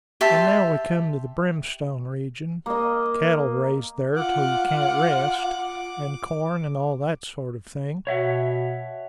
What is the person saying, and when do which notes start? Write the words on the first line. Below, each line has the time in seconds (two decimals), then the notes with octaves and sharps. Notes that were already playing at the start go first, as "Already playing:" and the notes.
And now we come to the Brimstone region--cattle raised there till you can't rest--and corn, and all that sort of thing.
0.21 G4 E5 A5 C6
2.66 A#3 D#5
4.16 F4 F#5 D6
8.07 B2 C#5 E5 F#5